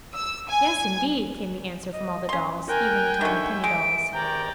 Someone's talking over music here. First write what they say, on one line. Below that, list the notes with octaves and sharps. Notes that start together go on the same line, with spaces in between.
"Yes, indeed!" came the answer from all the dolls, even the tiny penny dolls.
E6
G#5
D#5
C#4 C6
A#4 G5 G#5 F#6
D#2 D3 D#3 E5 C#6
G#3 D7
E2 C3 D#3 D5 G5 A#5